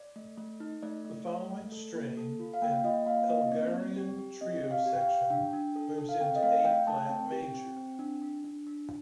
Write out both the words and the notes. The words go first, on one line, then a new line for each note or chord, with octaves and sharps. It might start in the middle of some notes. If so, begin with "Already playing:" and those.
The following strain, an Elgarian trio section, moves into A-flat major.
Already playing: D5
A3
A3
D#4
A3 D5
A3
A3
A3
A4
A#3
A4
F4
F5
A#3 G5
F4 D#5
A#3 F5
A#3 D#5
C4 D5
C4
G4
G4
C4 D#5
G4
F5
G4
G5
F5
G4
D4 G5
D4
A4
A4
F5
C4 G5
D#5
A3 F5
A3 G5
A3 A5
C4 G5
G4
C4
C4
D4
D4
D4
D4